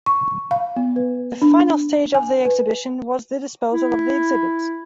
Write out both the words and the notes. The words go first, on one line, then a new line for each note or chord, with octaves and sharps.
The final stage of the Exhibition was the disposal of the exhibits.
C#6
F5
B3
B4
D4
G#5
B4
E4